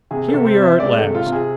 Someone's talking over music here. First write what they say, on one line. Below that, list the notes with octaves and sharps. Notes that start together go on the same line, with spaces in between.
'Here we are at last.
C3 G#4
A4
C3
C5
C4
E5
G#3 D5
A4
C3
F4
C3
G#4